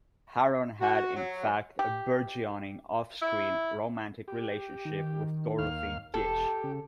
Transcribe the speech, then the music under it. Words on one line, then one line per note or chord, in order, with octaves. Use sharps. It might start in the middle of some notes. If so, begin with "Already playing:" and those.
Harron had, in fact, a burgeoning off-screen romantic relationship with Dorothy Gish.
F#4
F#3
G4
E4
G4
D#3
D#2 F5 F6
E1 G4 A4
C#3